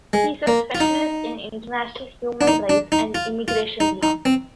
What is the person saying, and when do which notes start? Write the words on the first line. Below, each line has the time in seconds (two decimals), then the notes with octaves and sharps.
He is a specialist in international human rights and immigration law.
0.13 G#3
0.47 A#3
0.75 F4
0.80 D#4
2.41 D4
2.47 D#4
2.69 D4
2.92 D#4
3.15 F4
3.48 F4
3.80 D#4
4.03 D#4
4.25 C4